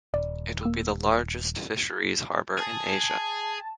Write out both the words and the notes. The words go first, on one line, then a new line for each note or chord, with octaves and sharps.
It will be the largest fisheries harbour in Asia.
D#1 D5
A#3 E6
G#4 A5